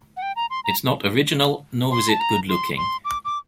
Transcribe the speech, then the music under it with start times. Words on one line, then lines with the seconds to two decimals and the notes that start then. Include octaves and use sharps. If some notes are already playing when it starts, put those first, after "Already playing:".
It's not original, nor is it good looking.
0.17 F#5
0.22 G5
0.36 A#5
0.50 C6
0.64 A#5
1.91 C6
2.09 A5
2.20 A#5
2.49 C6
2.77 C6
3.05 D6
3.25 D6